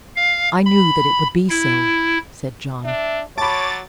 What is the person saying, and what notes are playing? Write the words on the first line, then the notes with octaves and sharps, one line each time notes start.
"I knew that it would be so," said John.
F5
B5
E4
D4 E5
F#3 C#5 A5 B5 D6 A6